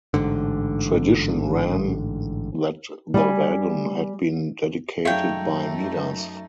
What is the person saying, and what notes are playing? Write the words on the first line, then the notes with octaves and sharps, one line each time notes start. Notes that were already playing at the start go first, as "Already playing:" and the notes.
Tradition ran that the wagon had been dedicated by Midas.
A1 G#2 D3
G3 G#5
F#2 A3 D#4 G#4 C#5 E5 F5 G5